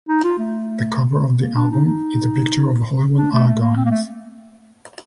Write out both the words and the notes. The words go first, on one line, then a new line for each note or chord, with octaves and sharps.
The cover of the album is a picture of The Hollywood Argyles.
D#4
F4
A3
A#3
D4
D#4
D#4
D4
A3
A3
A#3
C4
A#3
A3